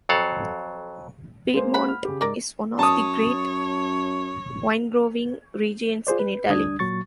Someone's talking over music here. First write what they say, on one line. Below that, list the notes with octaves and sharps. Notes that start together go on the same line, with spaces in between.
Piedmont is one of the great winegrowing regions in Italy.
F2 F#3 A4 F5 F#5
G#3 A#3 C5
F#5 B5
F6
C#3 G4
G#2 A#4 D5
F#2 C#5 A5 D#6
F4 G#4 C5 D5
B4
D2 G3 D4 D#6 G#6
A#2 F#3 C#6 A6